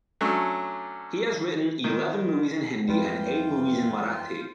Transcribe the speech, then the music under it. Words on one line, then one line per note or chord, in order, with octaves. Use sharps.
He has written eleven movies in Hindi and eight movies in Marathi.
F#3 A3 C#4 D4
D#3
F2 E3 G3 F4 B4 C5 G5